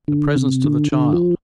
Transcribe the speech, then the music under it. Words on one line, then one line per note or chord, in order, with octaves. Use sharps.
The presents to the child!
D3
C3
D3
D3
F3